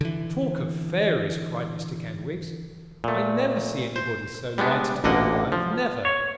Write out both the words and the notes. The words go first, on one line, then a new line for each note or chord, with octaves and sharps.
'Talk of fairies!' cried Mr Kenwigs 'I never see anybody so light to be alive, never.
D3 E3
A#2 A3
C5
G3 G#3 B3 D4
A1 D2 D3 A#3 D#5 F#5
F3
C#5